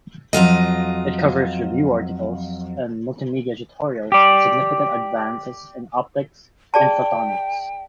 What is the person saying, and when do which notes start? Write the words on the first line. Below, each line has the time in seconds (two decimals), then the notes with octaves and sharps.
It covers review articles and multimedia tutorials on significant advances in optics and photonics.
0.33 F2 F#3 F4 D#5
4.12 G4 D5
6.74 G#4 D5 G5 A5